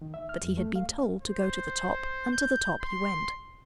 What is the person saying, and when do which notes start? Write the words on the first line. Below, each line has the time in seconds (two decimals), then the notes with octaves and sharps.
But he had been told to go to the top, and to the top he went.
0.01 D#3
0.14 E5
0.29 F6
0.43 F2
0.57 A3
0.76 F5
1.22 C5
2.32 G6
2.82 C6